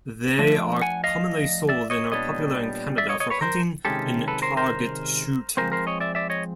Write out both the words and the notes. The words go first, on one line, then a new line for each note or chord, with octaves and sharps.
They are commonly sold and are popular in Canada for hunting and target shooting.
F3 A3 D4
F#5 G#5
D#5 F5
D5 E5
C#5 D#5
A#2 G3 B3 D4 C#5 D#5
D5 E5
C#5 D#5
C#5 D#5
B4 C#5
A#4 C5
C3 D#3 G#3 C#4 G4 A4
A4 B4
A#4 C5
A#4 C5
F3 G#3 C4 A#4 C5
A#4 C5
C#5 D#5
D5 E5
D5 E5
C#5 D#5